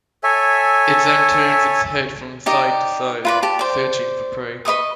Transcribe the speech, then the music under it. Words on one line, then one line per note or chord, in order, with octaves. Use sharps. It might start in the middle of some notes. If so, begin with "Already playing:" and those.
It then turns its head from side to side searching for prey.
A4 C#5 E5 G#5
D#4 G4 D5
F4 B4 D5
G4 A5
C5 D5
B4 D#5 C#6 D#6